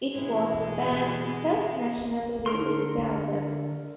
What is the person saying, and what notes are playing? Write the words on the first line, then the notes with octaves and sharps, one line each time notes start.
It was the band's first nationally-released album.
B2 E3 G#3 C4 E4
D3 G4 D5
D3 A#4 C6